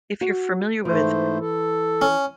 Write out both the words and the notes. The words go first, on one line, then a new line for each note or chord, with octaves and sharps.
If you're familiar with
F#4 F#5
G#2 E3 A3 C5
A4
C#4